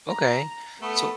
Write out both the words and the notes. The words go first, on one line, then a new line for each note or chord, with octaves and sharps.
Okay. So
A#5
A3 B3 A4